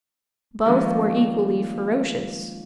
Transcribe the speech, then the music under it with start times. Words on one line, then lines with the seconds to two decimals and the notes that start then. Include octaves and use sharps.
Both were equally ferocious.
0.65 D#3 F3 G#3 A#3 C#4 D4